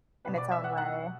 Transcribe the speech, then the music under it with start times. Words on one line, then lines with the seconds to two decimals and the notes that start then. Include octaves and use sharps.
in its own way.
0.25 G3 B4 B5
0.28 B2
0.38 D5 D6
0.51 E5 E6
0.64 F#5 F#6
0.77 F#5 F#6